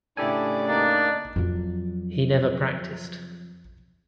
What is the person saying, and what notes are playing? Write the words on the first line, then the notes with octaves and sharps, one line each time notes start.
He never practiced.
A2 C#3 D4 E4 G4 A4 D5 G#5
A#3 D4 D#4
F2 F#3